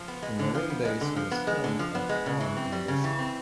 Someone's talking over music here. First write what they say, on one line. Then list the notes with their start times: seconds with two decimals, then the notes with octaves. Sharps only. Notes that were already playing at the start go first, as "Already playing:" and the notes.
The Marine Base was filmed at Bond University.
Already playing: F3
0.08 B3
0.23 G#3
0.39 D3
0.54 F3
0.70 B3
0.85 G#3
1.01 D3
1.16 F3
1.31 B3
1.47 G#3
1.64 D3
1.79 F3
1.95 B3
2.09 G#3
2.26 C#3
2.40 E3
2.57 C4
2.72 G3
2.88 C#3
3.04 E3
3.19 C4